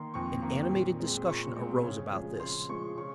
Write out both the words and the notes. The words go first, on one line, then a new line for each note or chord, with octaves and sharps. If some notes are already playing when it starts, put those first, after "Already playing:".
An animated discussion arose about this.
Already playing: D#3 A#3 C6
F2 C#6
D#3 A#3
A#2
G#3 C4
A#2 C#6
G#3 C4
C#3
F3 G#3
C#3 C6
F3 G#3 C#6
C#3 C#6